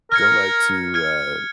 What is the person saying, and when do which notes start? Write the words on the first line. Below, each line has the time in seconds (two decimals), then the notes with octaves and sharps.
don't like to, uh,
0.11 A#4 F6 G#6 C#7
0.94 F6 G#6 C#7